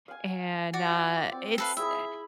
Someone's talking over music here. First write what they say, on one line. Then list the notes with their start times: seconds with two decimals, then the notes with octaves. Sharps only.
and, uh, it's eh,
0.08 F5 G#5
0.73 F#4 D5
0.87 F4
1.32 C4
1.58 A4 B4 F5
1.77 E4 G#4 E5 B5